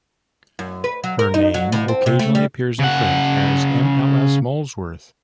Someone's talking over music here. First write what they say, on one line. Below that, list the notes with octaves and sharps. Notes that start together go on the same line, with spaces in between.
Her name occasionally appears in print as M. L. S. Molesworth.
F#2
B4
F#3
A#4
D#4
F#3
A2
C4
C3
A3
G3
C#3 F#5